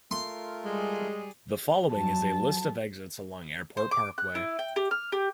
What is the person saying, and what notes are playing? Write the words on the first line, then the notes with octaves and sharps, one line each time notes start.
The following is a list of exits along Airport Parkway.
A3 F4 A#4 C6
G3 G#3 G#4
F2 F#3 A5
C5
D6
F#6
E4
G5
G4
F6
G4